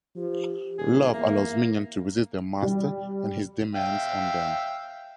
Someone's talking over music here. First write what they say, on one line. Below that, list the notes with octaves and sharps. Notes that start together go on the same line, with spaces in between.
Love allows minions to resist their Master and his demands on them.
F3 G4
D#1 G#4
E2 A#3 E5
G3
E5 F5 G5